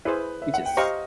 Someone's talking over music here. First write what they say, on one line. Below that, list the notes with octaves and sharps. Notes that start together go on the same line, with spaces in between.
You just
E4 G#4 B4 C5
E5
F#5
G5
G4 C5 D#5 F5 A#5 C#6